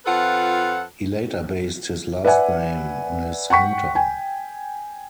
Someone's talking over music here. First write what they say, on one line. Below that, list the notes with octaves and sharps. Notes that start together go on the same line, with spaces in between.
He later based his last name on his hometown.
F2 F4 A4 B4 C5 F#5
B4 D5 E5 F#5 G#5
F#5 G5 C#6 B6
G5 G#5